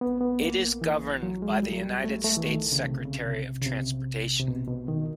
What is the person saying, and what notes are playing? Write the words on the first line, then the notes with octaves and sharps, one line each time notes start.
It is governed by the United States Secretary of Transportation.
B3
B3
A#3
E3
F#3
G#3
G3
F#3
G3
A3
A3
E3
D#3
C#3
C3
C#3
C3
C#3
C3
C3
B2
B2
D#3